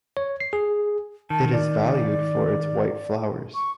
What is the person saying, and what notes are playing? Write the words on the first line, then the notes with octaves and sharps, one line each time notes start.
It is valued for its white flowers.
C#5
C7
G#4
D#3 A5
D5
C#6